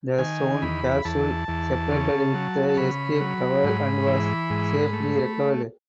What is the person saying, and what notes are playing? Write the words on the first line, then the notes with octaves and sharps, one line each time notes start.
The Zond capsule separated with the escape tower and was safely recovered.
D#3 G#5
E2 B5
E2 A5
E2
C#3
F#3
A5
C#3 B5
F#3
G#2
E3
G#2
A3